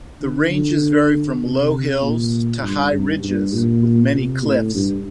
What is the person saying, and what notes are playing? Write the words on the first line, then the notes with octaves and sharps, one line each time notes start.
The ranges vary from low hills to high ridges with many cliffs.
D3
D3
C3
A#2
G2
G2
G2
A#2
C3
A2
G2